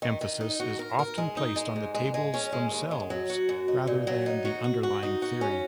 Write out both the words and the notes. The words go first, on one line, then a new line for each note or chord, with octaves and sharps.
Emphasis is often placed on the tables themselves, rather than the underlying theory.
D#3
D#3
D#4
F#4
A#4
A#4
G#3
D#4
G#3
G#2
G#3
G#3
C#4
G#3
D#2
G#3
F#3
F#4
F#2
D#4
A#2
F#3
D#4
F#4
F#4
F#4
D#4
F#4
C#4